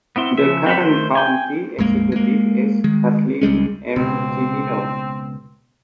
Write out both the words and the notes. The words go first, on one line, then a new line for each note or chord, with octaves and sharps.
The current county executive is Kathleen M. Jimino.
B3 C4 E4 C6
C#3 F3 E5
C4 A4 B5
D#3 A3 C5
G5 G#5
A#1 F2 G#3 A#3
G#3 A#3
D#3 G#3
C#2 G3 G#3 C#4
C#2 B2 C4